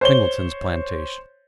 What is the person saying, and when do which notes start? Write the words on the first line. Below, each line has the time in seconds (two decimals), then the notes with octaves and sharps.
Singleton's plantation.
0.01 C5 C#5 G7